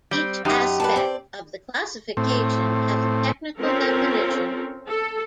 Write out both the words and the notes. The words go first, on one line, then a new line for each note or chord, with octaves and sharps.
Each aspect of the classification has a technical definition.
G3 C4
F#2 D#4 G4
B4 D5 A5
C4 D5
A2 C4
C4 C#4 F4 A4 A#4
A4